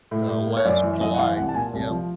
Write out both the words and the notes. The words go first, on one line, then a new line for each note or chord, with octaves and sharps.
uh, last July Yep.
A2
A2
A#3
C#5
F#2 D5
E3
E5
F#2 D#5
F#5
E3 F5
C2 F#5
A5
A#2 G#5
C2
F3